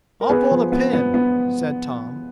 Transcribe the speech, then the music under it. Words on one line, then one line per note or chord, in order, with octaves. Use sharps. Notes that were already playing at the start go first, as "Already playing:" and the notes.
"I'll pull the pin," said Tom.
A#4
B3 G#4 B4
F3
B3
B3
B3